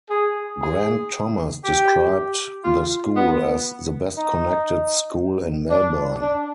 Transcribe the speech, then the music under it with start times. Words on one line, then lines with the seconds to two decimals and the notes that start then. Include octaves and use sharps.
Grant Thomas described the school as 'the best-connected school in Melbourne'.
0.10 G#4
0.62 G#4
1.64 G4
2.64 F4
3.16 B3
4.18 D#4
5.71 D4
6.21 D4